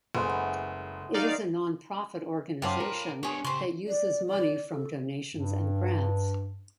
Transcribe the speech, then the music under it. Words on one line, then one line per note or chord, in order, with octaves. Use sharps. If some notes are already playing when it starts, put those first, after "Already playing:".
It is a non-profit organization that uses money from donations and grants.
F#1 G#3 A3 B3
D#4 D5 F5
F#2 F4 C5 C#5 G5 A5 B5 D6
A#4
B3 D4 G4 G#4 C#5 G#5 C6
C#3 G4 C5 C6 C#6
D5
D5
A4
G2